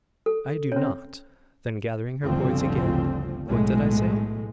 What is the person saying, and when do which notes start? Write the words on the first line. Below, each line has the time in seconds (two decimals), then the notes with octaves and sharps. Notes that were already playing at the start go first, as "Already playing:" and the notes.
"I do not!" Then gathering her poise again, "What did I say?"
0.26 A4
0.72 C#3 C4 C#5
2.24 G1 D2 C#3 F3 C4
3.47 B1 A2 G#3 A3